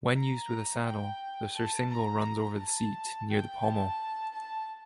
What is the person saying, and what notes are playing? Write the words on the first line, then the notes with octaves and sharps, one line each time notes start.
When used with a saddle, the surcingle runs over the seat near the pommel.
A#5
G5
A5
A#5
A5
G5
A5
A5